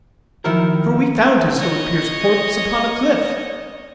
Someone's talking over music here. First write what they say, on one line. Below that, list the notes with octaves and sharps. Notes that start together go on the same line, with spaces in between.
For we found his sword-pierced corpse upon a cliff.
D#3 F3 F#3 E4 A#4 F6
C#5 D#5